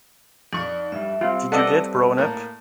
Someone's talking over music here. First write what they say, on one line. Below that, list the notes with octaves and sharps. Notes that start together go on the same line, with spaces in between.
Did you get blown up?
F2 D#4 D5 C#6
G2 G3 E5
G3 C4 F4
A4 B4 D5 D#5 F#5 A5
A2 A#3